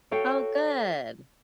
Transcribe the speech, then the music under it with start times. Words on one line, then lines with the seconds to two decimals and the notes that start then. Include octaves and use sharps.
Oh, good.
0.11 F#4 A4 C#5 F5 G5